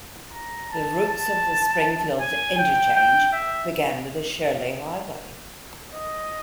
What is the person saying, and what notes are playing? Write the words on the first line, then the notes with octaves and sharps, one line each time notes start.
The roots of the Springfield Interchange began with the Shirley Highway.
A#5
A5
A5
G#5
G5
G5
E5
D#5